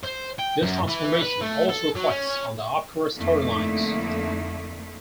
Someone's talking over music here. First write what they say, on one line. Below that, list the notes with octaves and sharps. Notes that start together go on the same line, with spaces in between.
This transformation also reflects on the opera storylines.
C5
G5
F#2
E3
B4
A3
A4
F#3
C#4
F2 D3 A3 A#3 D#4 E4